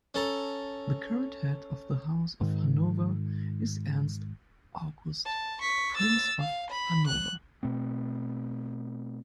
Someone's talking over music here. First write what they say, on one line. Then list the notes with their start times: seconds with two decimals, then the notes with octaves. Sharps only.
The current head of the House of Hanover is Ernst August, Prince of Hanover.
0.14 C#4 A4 A#5
2.41 G#2 D#3
5.25 A5
5.61 C#6 B6
5.97 E6 A6
6.40 F5
6.71 B5
7.07 F#6
7.63 B2 A3 C4